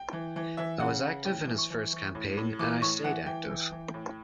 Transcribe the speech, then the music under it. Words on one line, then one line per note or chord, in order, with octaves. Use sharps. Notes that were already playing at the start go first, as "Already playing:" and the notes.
I was active in his first campaign, and I stayed active.
Already playing: G5
E3
E3
E3 E5
C#3 F#5
C#3 F#5
A2 G5
E3
C#6
E3
E3
A2
A2
E3 D6
A2 C#6
E3 F#5
E3 G5
E3
E3
A2